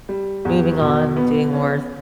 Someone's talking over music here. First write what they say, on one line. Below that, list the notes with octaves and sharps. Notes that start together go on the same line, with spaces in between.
moving on, doing more
G3
E2
B2
B3
C#4